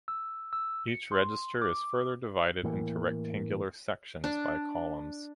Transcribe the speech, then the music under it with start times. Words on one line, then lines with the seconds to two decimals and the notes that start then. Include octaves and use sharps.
Each register is further divided into rectangular sections by columns.
0.08 E6
0.53 E6
0.88 C#7
1.12 C6
1.62 D6
2.63 A2 E3 A#3
4.24 D4